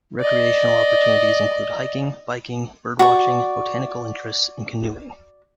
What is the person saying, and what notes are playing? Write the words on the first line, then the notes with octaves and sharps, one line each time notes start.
Recreational opportunities include hiking, biking, bird watching, botanical interests, and canoeing.
D5 D#5
F#4 D5 C#6